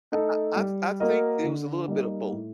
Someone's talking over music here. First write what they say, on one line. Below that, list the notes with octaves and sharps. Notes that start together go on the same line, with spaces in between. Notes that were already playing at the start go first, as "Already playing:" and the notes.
I I I th I think it was a little bit of both,
A3 D#4 A4
G3
A#3 F#4 A#4 D#5
D3
G3 A#3 D#4
A2